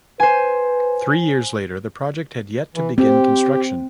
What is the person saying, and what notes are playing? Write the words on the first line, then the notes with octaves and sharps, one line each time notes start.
Three years later, the project had yet to begin construction.
B4 C5 G#5
E3
C4 G4